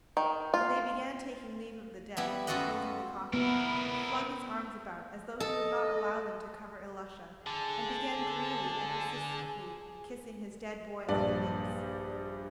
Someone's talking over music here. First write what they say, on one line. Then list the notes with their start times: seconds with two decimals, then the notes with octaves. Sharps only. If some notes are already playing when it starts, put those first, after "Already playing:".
When they began taking leave of the dead and closing the coffin, he flung his arms about, as though he would not allow them to cover Ilusha, and began greedily and persistently kissing his dead boy on the lips.
0.17 D#3
0.54 F4
2.17 G3 B3 E4
2.47 F#2 F4 F#4 A4 D#5 F#5
3.34 B3 E4 A#4
5.40 A4 D#5
7.46 D3 G#4 A5
11.09 A#1 G2 D5